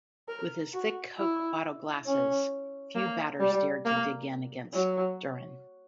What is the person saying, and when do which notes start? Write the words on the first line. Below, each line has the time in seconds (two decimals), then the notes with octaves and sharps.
With his thick Coke bottle glasses, few batters dared to dig in against Duren.
0.28 A#4
0.74 F#4
1.17 E4
2.07 C#4
2.96 A#3
3.40 G3
3.85 A#3
4.73 F#3